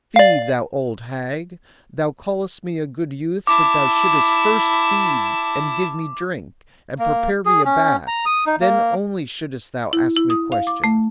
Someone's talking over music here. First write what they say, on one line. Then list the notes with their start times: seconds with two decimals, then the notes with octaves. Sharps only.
"Fie, thou old hag! thou call'st me a good youth, but thou shouldst first feed and give me drink, and prepare me a bath, then only shouldst thou ask me questions."
0.16 D5 F5
3.47 E4 A5 D6
6.99 A#3
7.45 G#4
7.65 C#4
8.07 A#5
8.26 D#6
8.46 D#4
8.60 A#3
9.93 E4
10.16 E4
10.30 D#6
10.52 F5
10.67 D6
10.84 A3